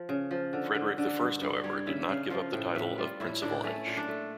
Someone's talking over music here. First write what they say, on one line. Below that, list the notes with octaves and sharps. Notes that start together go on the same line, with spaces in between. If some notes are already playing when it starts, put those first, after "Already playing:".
Frederick I, however, did not give up the title of Prince of Orange.
Already playing: F3
C#3
F3
D3
D3
D3
G2
G2
G3 C#5
C#3 E5
C#3 F5
F3 F5
A2 G5
A2 E5
G3 F4
A2 E4
A2 D4
A3 C#4
A#2
D4
A3